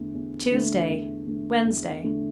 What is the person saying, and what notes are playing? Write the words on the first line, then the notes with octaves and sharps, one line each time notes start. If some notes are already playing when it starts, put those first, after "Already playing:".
Tuesday, Wednesday.
Already playing: E2 D3 A3
E2
D3 A3
E2
D3 A3
E2
D3 A3